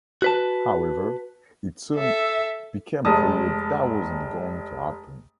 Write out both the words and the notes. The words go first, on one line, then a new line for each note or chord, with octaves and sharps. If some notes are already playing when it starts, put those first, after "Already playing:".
However, it soon "became clear that wasn't going to happen".
F#4 B4 A5
A4 E5
F1 G#3 A5 D#6